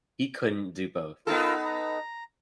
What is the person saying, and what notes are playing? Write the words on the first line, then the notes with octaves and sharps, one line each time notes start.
He couldn't do both.
B3 D#4 F4 A4 A#4 E6
A#5